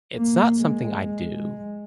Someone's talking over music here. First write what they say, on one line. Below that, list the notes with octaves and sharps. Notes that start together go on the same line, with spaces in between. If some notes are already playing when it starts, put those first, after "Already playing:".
it's not something I do
A#3
G#3
G#3